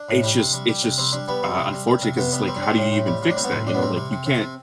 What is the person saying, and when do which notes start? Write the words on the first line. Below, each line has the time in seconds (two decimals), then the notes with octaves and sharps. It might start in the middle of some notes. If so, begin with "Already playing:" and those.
it's just it's just, uh, unfortunate 'cause it's like, how do you even fix that? You know? Like, you can't
Already playing: D4
0.09 A2
0.23 G3
0.38 C3
0.53 G3
0.68 G3
0.83 C3
0.98 G3 C4
1.13 G3 D4
1.28 G3 B3
1.43 G3 C4
1.58 C3
1.73 G3
1.87 G3
2.02 C3
2.17 C3 B3
2.32 G3 B3
2.47 G3 C4
2.56 D4
2.62 G3 C4
2.77 A2
2.92 A2
3.06 G3
3.22 A2
3.30 D4
3.36 G3 C4
3.44 B3
3.52 A2 C4
3.67 A2 D4
3.74 B3
3.81 G3 C4
3.96 C3
4.12 C3
4.26 C3
4.41 C3